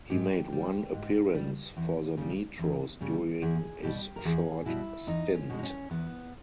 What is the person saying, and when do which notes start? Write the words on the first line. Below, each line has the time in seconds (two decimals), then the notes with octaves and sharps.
He made one appearance for the Metros during his short stint.
0.10 G#2 G4
0.52 G3
0.94 G#2
1.35 G3
1.77 E2
2.17 C#3 G3
2.59 E2
3.00 C#3 G3
3.42 E2 G#4
3.83 B2 G3 G4
4.16 A#4
4.25 E2 G#4
4.66 B2 G3 E4
5.07 E2 D#4
5.35 C#4
5.50 B2 G#3
5.58 D#4
5.63 C#4
5.91 E2 B3